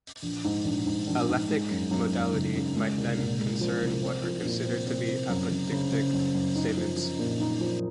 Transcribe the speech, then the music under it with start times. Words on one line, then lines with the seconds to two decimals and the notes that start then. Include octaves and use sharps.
Alethic modality might then concern what are considered to be apodictic statements.
0.22 A#1
0.44 G#2
0.64 A#1
0.86 G#2
1.07 A#1
1.29 G#2
1.49 G#3
1.71 F#2
1.91 F#2
2.13 F#2
2.33 C#3
2.55 C#3
2.76 G#3
2.98 C2
3.18 A#2
3.40 G#3
3.61 F3
3.82 C2
4.03 C4
4.23 F3
4.44 A#2
4.66 C4
4.87 C4
5.08 C4
5.29 F#2
5.51 F#1
5.71 C#3
5.92 C#3
6.13 F#2
6.34 F#2
6.55 D#4
6.77 F3
6.97 F3
7.19 A#2
7.40 D#4
7.61 F3